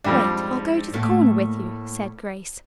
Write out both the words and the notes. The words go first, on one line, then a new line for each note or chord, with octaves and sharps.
"Wait, I'll go to the corner with you," said Grace.
F2 G#2 G3 D4
A2 A3 A#3